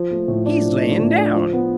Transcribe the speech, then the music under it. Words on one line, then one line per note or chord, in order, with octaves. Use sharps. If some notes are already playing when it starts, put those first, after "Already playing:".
"He's layin' down!"
Already playing: F3
A3
A2
D4
F3
A3
A2
D4
F3
B3